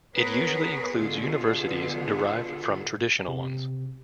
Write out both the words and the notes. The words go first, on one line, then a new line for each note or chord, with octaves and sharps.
It usually includes universities derived from traditional ones.
B3 G#4 A#4 B4 C#5
B2 D3 B3 F4 G#4 A4
C3